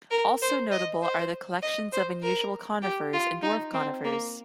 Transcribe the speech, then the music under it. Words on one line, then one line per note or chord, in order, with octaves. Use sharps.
Also notable are the collections of unusual conifers and dwarf conifers.
A#4
C5
D#5
C5
D#5
C5
A#4
G4
F4
D#4
C4
A#3